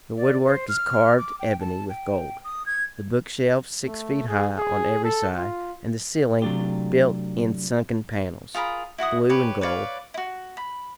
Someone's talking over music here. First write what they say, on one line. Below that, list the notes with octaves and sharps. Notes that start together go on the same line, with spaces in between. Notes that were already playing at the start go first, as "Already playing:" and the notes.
The wood-work is carved ebony with gold, the bookshelves six feet high on every side, and the ceiling built in sunken panels, blue and gold.
D5
C5
F6
D6
G5
A5
G5
D#6
G#6
A3
G#4
G#4
A4
F4
C3 F#3 A3 D4 F4 G4
F4 G#4 A#4 B5
E4 F#4 F#5 D#6
G4 B4 C#5
B4 C#5 D5 F5
E4 F#4
B5